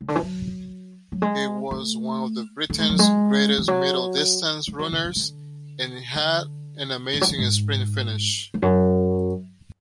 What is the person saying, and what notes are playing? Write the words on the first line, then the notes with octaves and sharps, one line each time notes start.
He was one of Britain's greatest middle-distance runners and had an amazing sprint finish.
C#3
D3
E3
F#3
F#3
G#3
A3
A3
G#3
F#3
G#3
E3
F#3
G#3
F#3
D3
D3
D3
D3
E3
F#3
E3
G#2
E2
F#2